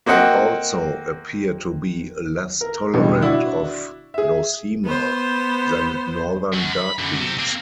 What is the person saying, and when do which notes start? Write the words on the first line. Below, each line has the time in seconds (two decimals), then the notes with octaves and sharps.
They also appear to be less tolerant of "Nosema" than Northern dark bees.
0.06 A#3 C4 F#4 D#5 F#5 G5
2.61 A#4
2.94 A1 B2 D3 G3
3.21 D4 E4 F#4 D5
4.14 G#4 E5
4.85 B3 C5
6.53 F#2 F#3
6.72 B5
6.99 F#2 D3
7.20 C3
7.39 A#3 C4